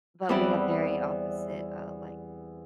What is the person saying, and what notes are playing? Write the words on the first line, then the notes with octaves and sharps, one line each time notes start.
but we have very opposite, uh, like,
E2 G3 C4 E4 D5 F#5